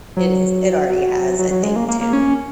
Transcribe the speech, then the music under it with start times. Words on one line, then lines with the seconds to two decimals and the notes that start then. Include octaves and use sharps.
It is, it already has, I think, to
0.17 F#3
0.90 F#3
1.39 F#3
1.51 F#3
1.63 G#3
1.76 A#3
1.88 A#3
2.01 A#3
2.13 C#4